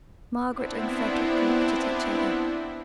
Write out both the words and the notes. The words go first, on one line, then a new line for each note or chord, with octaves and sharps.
Margaret and Frederick looked at each other.
B3 C4 D4 E4